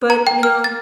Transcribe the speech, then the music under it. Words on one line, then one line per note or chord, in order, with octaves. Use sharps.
But, you know,
A#5
G5
F6
A6